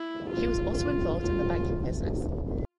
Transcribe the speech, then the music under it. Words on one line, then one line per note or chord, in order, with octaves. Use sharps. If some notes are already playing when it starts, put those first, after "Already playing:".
He was also involved in the banking business.
Already playing: E4
F4
F4
F4